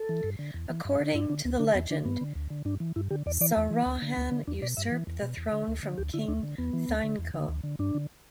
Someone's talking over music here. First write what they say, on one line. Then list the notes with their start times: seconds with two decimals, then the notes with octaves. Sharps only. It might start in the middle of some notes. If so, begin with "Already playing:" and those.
According to the legend, Sawrahan usurped the throne from King Theinhko.
Already playing: A4
0.09 E3
0.24 G2
0.39 D3
0.54 E2
0.70 E3
0.85 G2
1.00 D3
1.14 G2 E4
1.30 D3 D4
1.45 D2 B3
1.59 D3 D4
1.75 E2 B3
1.90 D3 D4
2.05 G2 B3
2.21 D3
2.35 D2
2.50 D3
2.65 G2 D4
2.80 E3
2.96 G2 E4
3.11 D3 G4
3.26 E2 D5
3.41 E3 D5
3.57 E2
3.71 E3
3.86 D2
4.02 D3
4.16 D2 B3
4.31 D3 B3
4.47 E2 D4
4.62 B2 D5
4.77 G2 E5
4.92 E3
5.07 E2
5.22 B2
5.37 E2
5.52 D3
5.68 D2
5.83 D3
5.98 D2 G4
6.14 D3 E4
6.28 D2 D4
6.43 D3
6.58 E2 B3
6.73 E3
6.89 D2
7.03 D3
7.18 E2
7.34 D3
7.48 D2
7.63 D3
7.79 G2 D4
7.94 D3